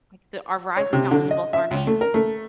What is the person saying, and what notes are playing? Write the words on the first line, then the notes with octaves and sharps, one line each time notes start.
like, th our Verizon account was in both of our names
C#5
C3
D3
D#5
E5
C#2
A3
A#4
A3